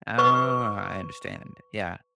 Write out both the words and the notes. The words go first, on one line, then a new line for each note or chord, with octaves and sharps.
Oh, I understand. Yeah.
B4 C#6